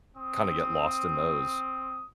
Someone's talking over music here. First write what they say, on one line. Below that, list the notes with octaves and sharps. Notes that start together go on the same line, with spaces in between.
kinda get lost in those.
C4 D#6